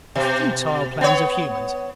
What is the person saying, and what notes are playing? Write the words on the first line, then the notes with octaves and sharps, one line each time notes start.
The futile plans of humans!
B2
B3 C#5